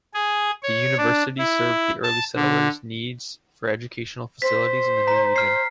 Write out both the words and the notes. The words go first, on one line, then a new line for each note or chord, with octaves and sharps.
The university served the early settlers' needs for educational facilities in the new region.
G#4
C#5
D4
E4
A5
D3
C5 B6
A#5 B6
F6 C7